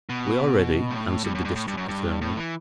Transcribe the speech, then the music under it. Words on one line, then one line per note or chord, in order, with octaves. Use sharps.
"We are ready," answered the District Attorney.
B2
A2
G2
F#2
G2
A2
G2
F#2
G2
A2
E3